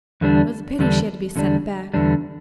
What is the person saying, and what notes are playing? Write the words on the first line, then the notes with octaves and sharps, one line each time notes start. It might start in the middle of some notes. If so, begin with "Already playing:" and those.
It was a pity she had to be sent back.
E2 D3 G3 D4
E2 D3 G3 D4
E2 D3 G3 D4
E2 D3 G3 D4